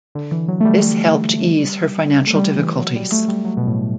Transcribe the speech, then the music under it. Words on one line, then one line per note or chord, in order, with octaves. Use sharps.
This helped ease her financial difficulties.
D3
E3
F#3
A3
G3
A3
G3
E3
F#3
G3
A3
G3
F#3
B2
A2